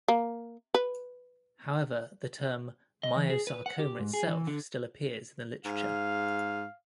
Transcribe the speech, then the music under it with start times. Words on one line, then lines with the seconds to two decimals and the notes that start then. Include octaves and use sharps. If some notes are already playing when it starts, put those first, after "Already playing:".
However, the term myosarcoma itself still appears in the literature.
0.08 A#3
0.74 B4
3.03 D#5
3.16 E3
3.30 G#4
3.47 B4
3.66 F#5
3.79 G4
3.99 G#2
4.13 G#4
4.27 E3
4.47 D3
5.65 G#2 F5